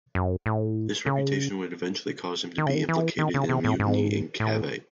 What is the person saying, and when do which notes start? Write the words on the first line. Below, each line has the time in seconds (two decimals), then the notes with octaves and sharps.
This reputation would eventually cause him to be implicated in a mutiny in Cavite.
0.15 F#2
0.46 A2
1.06 C#3
2.58 D#3
2.66 C#3
2.75 D#3
2.89 E3
3.19 D#3
3.34 C#3
3.49 C3
3.64 A2
3.80 G#2
4.40 A2